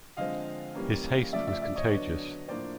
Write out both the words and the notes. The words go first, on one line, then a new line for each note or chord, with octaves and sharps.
His haste was contagious.
D3 F3 G#3 C4 D#5 F5
E3 G3 A#3 C#4
C#3 F3 A3 D5 E5
D5 E5
D5 E5
C#5 D#5
D3 F#3 B3 D4
A2 F3 A#3 D4 C5 D5